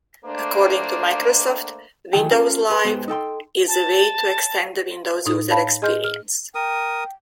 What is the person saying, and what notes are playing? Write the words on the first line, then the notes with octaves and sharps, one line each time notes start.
According to Microsoft, Windows Live "is a way to extend the Windows user experience".
A3 A#3 D4 C5
D#3 E3 F#3 G#4 G5
C#4 F4 A4 C5
G#4 B4
G#2 B3 G4 C5
D#4 A4 G5 C6
A5
A2 D#4
C#5 F5 A5 B5
G#4 D#5 G#5 C6 F6 G6
F6
A#4 G5 D#6